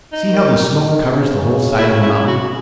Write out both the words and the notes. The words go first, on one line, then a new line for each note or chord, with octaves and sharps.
See how the smoke covers the whole side of the mountain.
D#4
D#3
D#3
C#3
C#3
E4
E4
F#4